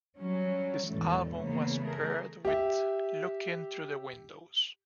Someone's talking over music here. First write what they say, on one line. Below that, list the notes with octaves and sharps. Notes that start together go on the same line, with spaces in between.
This album was paired up with "Lookin' Through the Windows".
F#3 G3 C#4
E2 G#2 B2 E3 G3 A3
E2 C#3 A#3 B3 C#4
A3 G#4 A#4
G4 E5